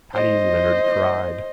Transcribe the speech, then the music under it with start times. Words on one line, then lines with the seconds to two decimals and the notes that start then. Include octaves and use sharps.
Paddy Leonard cried.
0.14 C5 D#5